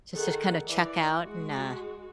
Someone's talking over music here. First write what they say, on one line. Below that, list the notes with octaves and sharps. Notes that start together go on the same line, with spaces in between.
Just to kind of check out, and, uh
D#3 G#4 A4 F#5
E3 D5
G#3 F#4